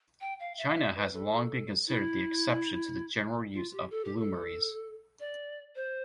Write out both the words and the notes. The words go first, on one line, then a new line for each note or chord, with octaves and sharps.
China has long been considered the exception to the general use of bloomeries.
G5
F5
E5
F5
E5
B4
A4
E4
F4
G4
A4
G4
A4
D5
C5